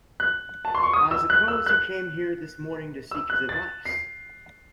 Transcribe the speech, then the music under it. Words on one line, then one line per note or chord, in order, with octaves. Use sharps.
I suppose you came here this morning to seek his advice?
F#6
A5
C6
C#6
D#6
E6
F#6
E6
F#6
E6
F#6
A6
C7